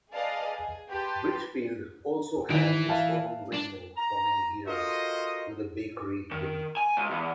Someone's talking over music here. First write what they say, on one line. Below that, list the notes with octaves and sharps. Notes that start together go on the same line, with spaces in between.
Whitfield also had its own windmill for many years, with a bakery beneath.
G#4 B4 D5 D#5 F5 A5
G#4
G4 B4 G5 A5 C6
D#3 E3 D7
E5 F5 A5
D4
A#5
F4 F#4 A4 A#4 C5 D#5
D#3
G#5
C#2
E2